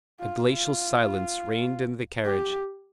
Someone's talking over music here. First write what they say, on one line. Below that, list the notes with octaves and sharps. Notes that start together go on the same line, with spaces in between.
A glacial silence reigned in the carriage.
F4
F4
G4